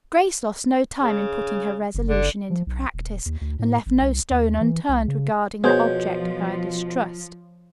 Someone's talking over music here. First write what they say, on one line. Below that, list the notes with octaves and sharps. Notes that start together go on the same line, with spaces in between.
Grace lost no time in putting her resolution into practice, and left no stone unturned regarding the object of her distrust.
C#3
F#1
D3
F3
B1
D#1
D#2
D2
A2
G#1
C2
D#2
E3
C2
C#3
B2 F3 B3 G#4 C5 C#5 G6